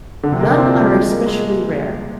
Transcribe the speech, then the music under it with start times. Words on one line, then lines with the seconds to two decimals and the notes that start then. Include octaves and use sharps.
None are especially rare.
0.23 D3
0.32 C3
0.40 A#3
0.49 D4
0.58 C4
0.69 F3
0.80 G3
0.93 G#3
1.09 A#3
1.27 G#3